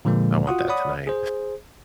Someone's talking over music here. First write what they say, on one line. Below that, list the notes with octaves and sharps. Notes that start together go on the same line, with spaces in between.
I want that tonight
A#2 D3 F3 G#3 A#3
F4 F#4 F#5 D#6
C#5 D5 F#5 B5 D#6
G#4 C5